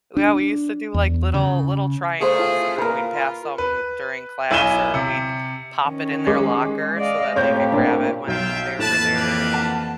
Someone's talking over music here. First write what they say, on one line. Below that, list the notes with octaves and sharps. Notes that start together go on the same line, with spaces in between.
Well, we used to do like little little triangles, and then we'd pass 'em during class or we'd pop it in their locker so that they could grab it when they were there, and
D4
E2
C#3
A3 G#4 C5 E5 F5
F4
A#2 A#4 B4
F4
B4
B1 E4 G#5 D#7 E7 G7
C3
D#3 C#4
G#3 D6
D5 D#5 F5
F2 A2 G4 C5 C#5 G6
A#2 D4
B1 F#3 F4 E5 G5
F2 A2 E3 A#3 B4 A5
D4 G4 B4
F#5 A5